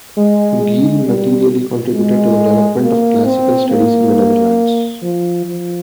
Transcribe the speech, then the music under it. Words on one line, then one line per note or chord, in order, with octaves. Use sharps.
Geel materially contributed to the development of classical studies in the Netherlands.
G#3
G#3
G3
G#3
A#3
C4
A#3
F3
F3